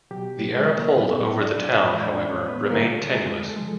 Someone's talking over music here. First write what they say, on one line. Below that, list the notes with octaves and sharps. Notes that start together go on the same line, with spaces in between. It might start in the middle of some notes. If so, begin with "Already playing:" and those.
The Arab hold over the town, however, remained tenuous.
B2 F#3 G4
G#3 G#4
A#3 A#4
C5
A#2 F#3 B3 B4
D4 D5
A2 E3 G#3
D4 D5
C#4 C#5
B3 B4
D3 G3 A#3 A#4
A3 A4
G#3 G#4
A4
C3 F3 G#3 G#4